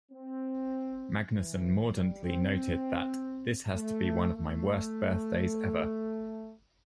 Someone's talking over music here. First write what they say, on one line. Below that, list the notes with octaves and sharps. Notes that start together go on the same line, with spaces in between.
Magnusson mordantly noted that "This has to be one of my worst birthdays ever".
C4
E3
G3
C4
A3
A3